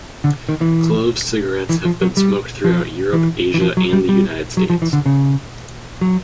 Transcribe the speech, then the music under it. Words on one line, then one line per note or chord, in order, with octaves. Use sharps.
Clove cigarettes have been smoked throughout Europe, Asia and the United States.
D3
D#3
E3
E3
F3
F#3
G3
F3
E3
E3
F3
F#3
G3
G3
F#3
F3
E3
D3
C#3
F#3